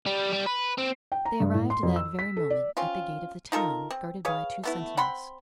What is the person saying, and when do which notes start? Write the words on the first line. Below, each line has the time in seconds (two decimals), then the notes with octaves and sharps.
They arrived that very moment at the gate of the town, guarded by two sentinels.
0.06 G3
0.33 G3
0.47 B4
0.78 C4
1.12 G5
1.25 A#5
1.40 G2
1.54 A2
1.70 C6
1.83 F2
1.96 E6
2.19 B6
2.37 A4
2.50 D5
2.77 C4 C#4 F4
3.52 D#4 F4 A4 A#4
3.91 C4
4.25 G#4 B4 C#5 F5
4.64 A3 B3 E4
4.97 C4 F#5 B5 C6